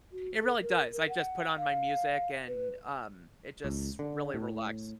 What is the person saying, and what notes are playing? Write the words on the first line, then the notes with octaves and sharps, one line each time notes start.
It really does. I just put on my music and, um, it just really relax
F#4
A4
A#4
A#4
F#5
F5
B4
C#2
D3
A2